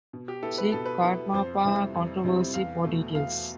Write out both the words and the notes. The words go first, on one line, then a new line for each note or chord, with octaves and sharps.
See Karmapa controversy for details.
B2
G4
B3 E4 A4
B4
B2 A4
B4
B3 E4
F2 C5
C3 G3 C4 E4
F2
C3 G3 C4 E4
E2 F5
B2 A3
E2 F5